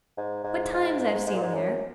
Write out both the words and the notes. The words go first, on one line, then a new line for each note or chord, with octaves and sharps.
'What times I've seen there!
G#2
G#2
G#2
G#2
G#2
A#2
G#2
F#2